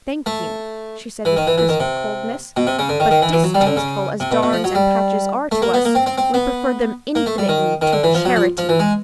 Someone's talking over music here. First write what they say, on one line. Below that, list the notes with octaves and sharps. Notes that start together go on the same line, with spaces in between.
"Thank you," she said with crisp coldness; "but, distasteful as darns and patches are to us, we prefer them, infinitely, to--charity!"
A3
E3
D#3
E3
E3
D#3
C3
B2
C3
C#3
D3
D#3
D#3
E3
E3
F#3
G3
C#3
D3
C#3
C3
B2
B2
F3
F#3
G3
A3
A#3
B3
A#3
C4
C4
C4
B3
A#3
A3
G3
D#3
D#3
D3
E3
F3
F#3
F3
F3
E3
G#3